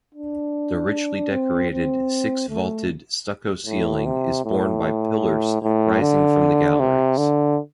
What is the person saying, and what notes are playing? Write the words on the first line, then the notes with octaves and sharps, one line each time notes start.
The richly decorated six-vaulted stucco ceiling is borne by pillars rising from the galleries.
D4
C4
C4
A3
A2
C3
A2
A2
D3
C3
D3